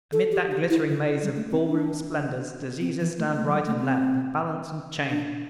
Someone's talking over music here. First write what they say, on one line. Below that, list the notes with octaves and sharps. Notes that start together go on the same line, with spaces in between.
Amid that glittering maze of ball-room splendors, diseases stand right and left, and balance and chain.
A4
G4
G4
E4
D3
G3
A3
C4
D4
C4
E3
A3
G3
A3
E3
G3
A3
C4
D4